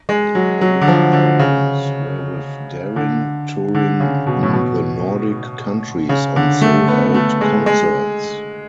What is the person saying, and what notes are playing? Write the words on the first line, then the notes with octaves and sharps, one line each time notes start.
Both albums were with Darin touring in the Nordic countries, on sold out concerts.
G#3
F#3
F#3
D3
F3
D3
C#3
D3
D3
C#3
B2
A2
B2
C#3
D3
A3
B3
A3
G#3
G#3